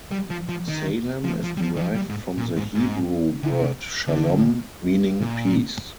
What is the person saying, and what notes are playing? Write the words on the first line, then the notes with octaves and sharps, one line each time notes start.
Salem is derived from the Hebrew word "shalom", meaning "peace".
G3
F3
F3
D#3
F3
F3
G3
F3
D#3
F3
G3
G#2
A#2
G#2
G#2
D3
C3
D3
A#2